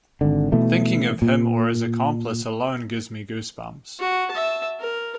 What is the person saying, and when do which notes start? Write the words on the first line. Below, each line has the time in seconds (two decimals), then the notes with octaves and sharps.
Thinking of him or his accomplice alone gives me goose bumps.
0.21 G#1 D3
0.52 B2 E3 A3
1.22 A#2
3.99 F#4
4.31 E5 A5
4.80 A#4